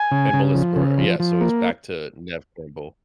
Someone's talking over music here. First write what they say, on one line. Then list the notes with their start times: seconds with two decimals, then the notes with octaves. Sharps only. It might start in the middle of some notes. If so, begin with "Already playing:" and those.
And Melissa Barrera. Yeah, so, it's back to Neve Campbell.
Already playing: G#5
0.11 C#3
0.33 C#3
0.55 F3
0.76 C#3
0.98 F3
1.20 F3
1.41 A#3